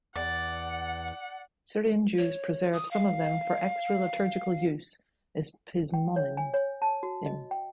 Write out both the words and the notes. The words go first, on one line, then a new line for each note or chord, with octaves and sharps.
Syrian Jews preserve some of them for extra-liturgical use as pizmonim.
E2 D5 F#5
C#5
D#6
F5
G5
C#5
G#5
C#5
A5
F#4
D#5
G5